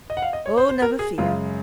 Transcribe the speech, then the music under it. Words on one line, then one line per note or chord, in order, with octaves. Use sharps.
'Oh! never fear!
D#5
F#5
F5
D#5
C#5
C5
C5
A#4
G#4
F#2 C#3 G#3 F4